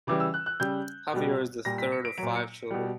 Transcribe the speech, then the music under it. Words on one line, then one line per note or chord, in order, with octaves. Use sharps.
Javier is the third of five children.
C#3 E3 G3 D6
E6
F#6
F#6
C#3 G3 G6
B2 G3
A#2 G3 A#6
B6
C#7
D7
A#2 F#3 D7
C#7
B2 G3